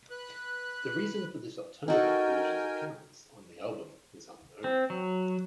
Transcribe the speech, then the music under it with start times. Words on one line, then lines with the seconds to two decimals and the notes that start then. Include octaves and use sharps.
The reason for this alternate version's appearance on the album is unknown.
0.11 B4 F#6
1.88 D#4 F#4 A4 A#4 G5 G#5
4.64 C4
4.90 F#3